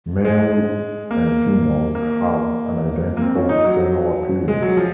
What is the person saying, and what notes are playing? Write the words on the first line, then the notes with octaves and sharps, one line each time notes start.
Males and females have an identical external appearance.
G#3
A#3
A#3
A#3
C4
C#4
D#4
F#3
G#3
F#3
F3